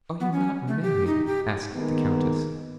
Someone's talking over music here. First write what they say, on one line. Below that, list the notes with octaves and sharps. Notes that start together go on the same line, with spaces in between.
"Are you not married?" asked the countess.
B3
C#4
A3
G4
D#4
G4
D#3 G#3 A#3 B3